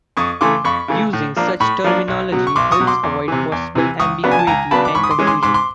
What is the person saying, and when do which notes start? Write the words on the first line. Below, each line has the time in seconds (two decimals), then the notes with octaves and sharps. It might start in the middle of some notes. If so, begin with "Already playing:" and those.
Using such terminology helps avoid possible ambiguity and confusion.
0.17 F2 C#6 D#6
0.41 C#3 E3 A3 C6 D6
0.64 F2 B5 C#6
0.88 C#3 E3 A3
1.13 A2
1.36 F3 A#3 D4
1.60 A2 B5 C#6
1.84 F3 A#3 D4
2.08 B1
2.32 B2 F#3
2.47 C#6
2.56 B1 C6 D6
2.72 C#6 D#6
2.80 B2 F#3
2.87 C6 D6
3.03 E2
3.28 C3 E3
3.52 E2
3.75 C3 E3
3.99 C#2 C#6 D#6
4.23 C#3 F#3 B3 D4
4.32 G#5
4.39 A5
4.47 C#2 G#5 A#5
4.71 C#3 F#3 B3 D4 A5 B5
4.85 D6
4.95 G#2 B5 C#6
5.03 D#6
5.11 C6 D6
5.19 E3 G#3 C#4
5.27 C6 D6
5.43 G#2 C6 D6
5.54 C6 D6